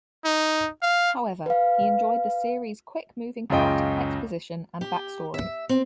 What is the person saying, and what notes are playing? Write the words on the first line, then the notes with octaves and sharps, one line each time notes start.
However, he enjoyed the series' quick-moving plot, exposition, and backstory.
D#4
F5
B4 F5
C#2 F#2 F4 D#5 G5
G4
E5
C4